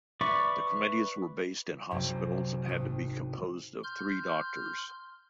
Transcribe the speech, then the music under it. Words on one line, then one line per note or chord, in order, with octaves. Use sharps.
The committees were based in hospitals and had to be composed of three doctors.
B4 D5 E5 C#6 D6
F#1 C2 F#2 C3
G#1 D#6
C6 F6 G6